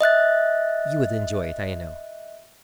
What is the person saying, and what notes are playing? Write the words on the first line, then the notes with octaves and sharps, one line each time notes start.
You would enjoy it, I know.
D#5 E5 F#6 A6